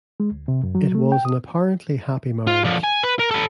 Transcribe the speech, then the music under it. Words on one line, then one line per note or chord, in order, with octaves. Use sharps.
It was an apparently happy marriage.
G#3
D2
C3
F#2
F#3
A3
G5
D#6
F4
D3 F3
G#5
B4
A#4
A4 B4